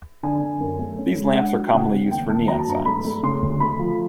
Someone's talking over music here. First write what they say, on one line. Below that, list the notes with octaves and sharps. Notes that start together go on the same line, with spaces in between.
These lamps are commonly used for neon signs.
D3 G#5
D3
F#2
A3
C#4
G#3
D4 F#5
F#3
G5
C#3 F#5
C4
D#2 G5
D#2 A5
F#3 A#5
A5
G2 A#5
A3 B5
A3
C#3 C6
D2
A3 B5
F3